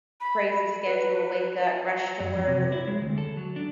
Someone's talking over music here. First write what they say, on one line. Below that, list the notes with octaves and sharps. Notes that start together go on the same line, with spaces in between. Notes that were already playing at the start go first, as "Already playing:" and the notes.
crazy schedule, wake up, rush to work,
B5
B5
B4
F#2
F2
C3
E4
G#3
D2
A4
F#3
D4